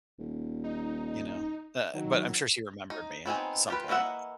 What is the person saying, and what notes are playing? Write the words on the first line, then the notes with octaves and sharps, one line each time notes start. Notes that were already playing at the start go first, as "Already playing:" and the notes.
you know? Uh, but I'm sure she remembered me at some point.
D#1
D#4
D#3 F#3
D#4
B3 C4 D#4 G#5
F4 G4 B4
E3 A#3 D#5 E5 F#5